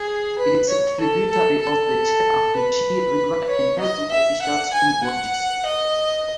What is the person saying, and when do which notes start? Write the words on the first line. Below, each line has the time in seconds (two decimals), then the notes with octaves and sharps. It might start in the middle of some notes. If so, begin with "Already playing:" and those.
It is a tributary of the Chattahoochee River and has no official stream gauges.
Already playing: G#4
0.38 B4
0.69 C#5
1.00 A4
1.31 A4
1.62 A4
2.55 B4
3.48 C#5
3.79 D#5
4.11 E5
4.41 F#5
4.73 G#5
5.03 F#5
5.65 D#5